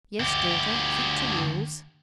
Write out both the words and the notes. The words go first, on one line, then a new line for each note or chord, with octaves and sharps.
"Yes, daughter; keep to rules."
D2 G4